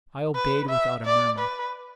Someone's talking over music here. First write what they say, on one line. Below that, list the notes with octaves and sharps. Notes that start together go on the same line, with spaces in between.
I obeyed without a murmur.
B4
E5
D5
B4